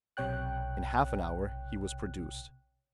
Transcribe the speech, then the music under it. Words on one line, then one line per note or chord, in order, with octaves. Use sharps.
In half an hour he was produced.
B1 C3 C#5 G5 F#6